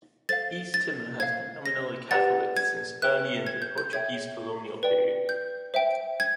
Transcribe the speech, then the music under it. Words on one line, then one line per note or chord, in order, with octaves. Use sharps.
East Timor has been nominally Catholic since early in the Portuguese colonial period.
A4 C5 F5 A6
A6
C5 F5 G#6
A#6
G4 B4 D5 F#5 A6
G#6
B4 E5 G5 F#6
G#6
G6
G6
G#4 C#5 E5 G5 G#6
B4 D5 G5
G6
C5 E5 G5
G#6